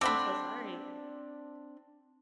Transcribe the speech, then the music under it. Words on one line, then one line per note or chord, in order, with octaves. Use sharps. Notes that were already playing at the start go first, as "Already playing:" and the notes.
I'm so sorry.
C4 D4 A4 F#5 B5 D6